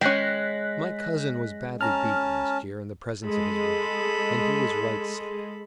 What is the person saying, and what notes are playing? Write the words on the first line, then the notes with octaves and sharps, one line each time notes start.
My cousin was badly beat last year in the presence of his wife, and he was right sick.
G#3 C#4 G5 F#6 A#6 B6
C#4 A5 A#5 F6
G#3 A4 B5